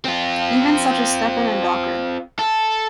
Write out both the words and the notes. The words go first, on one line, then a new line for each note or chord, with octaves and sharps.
Even such as Stepan and Docker.
C4 F4
A4